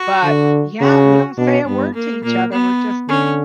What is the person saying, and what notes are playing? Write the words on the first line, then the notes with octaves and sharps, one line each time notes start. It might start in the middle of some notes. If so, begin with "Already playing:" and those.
But, yeah, we don't say a word to each other, we're just
Already playing: F#4
D3
C#3 F#4
B2 D4
G2 B3
A#3
A#2 A#3
B3
D3 C#4